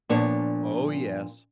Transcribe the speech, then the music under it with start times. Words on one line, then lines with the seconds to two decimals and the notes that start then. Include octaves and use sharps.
Oh yes.
0.09 A#2 F3 B3 D4 C#5 A5